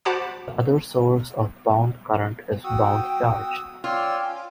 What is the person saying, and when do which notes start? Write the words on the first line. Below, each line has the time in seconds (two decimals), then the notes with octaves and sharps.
The other source of bound current is bound charge.
0.05 F#4 C5 F#5 A5 B5 D6
2.64 F#4 G5 D#6 E6
3.84 F4 C#5 D5 G5 E6
4.22 C#4